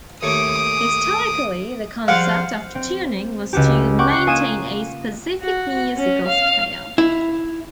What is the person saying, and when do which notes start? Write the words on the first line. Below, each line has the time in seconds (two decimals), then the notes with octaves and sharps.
Historically, the concept of tuning was to maintain a specific musical scale.
0.23 D#2 A3 C#5 D6 D#6
2.08 F3 G3 G#4 C5 F5 F#5
2.75 C4
3.53 C#2 F#4 G4
3.99 F#5 G5 C#6 D6
4.11 C#6 F#6 C7
4.27 A#3 F4 G#5 D#6 D#7 E7
5.42 F#4
5.96 C#4
6.28 F5
6.98 E4